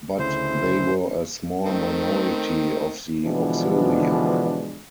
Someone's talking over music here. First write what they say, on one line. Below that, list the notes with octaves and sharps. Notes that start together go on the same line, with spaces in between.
But they were a small minority of the "auxilia".
D2 C#3 E4 C5
D#3 A3 C4
B2 D3 E3 F3 G#3 D4